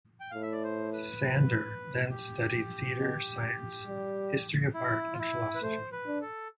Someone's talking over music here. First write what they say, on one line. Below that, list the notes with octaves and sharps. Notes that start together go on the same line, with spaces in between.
Sander then studied theatre science, history of art and philosophy.
G5
A2 F5
E5
D5
C5
B4
G4
B2
G3
E4
F4
E4
B4
A3 C5
B4
D4
A4